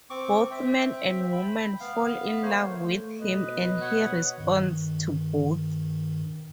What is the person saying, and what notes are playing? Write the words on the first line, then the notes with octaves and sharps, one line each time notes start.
Both men and women fall in love with him and he responds to both.
C4 C#6 D6
C4 E5 G5
G5 B5
B3 F5
A3 A#3 C5 C#5
A3
B2 B4 D#5
C#5 F#5
G2 D#3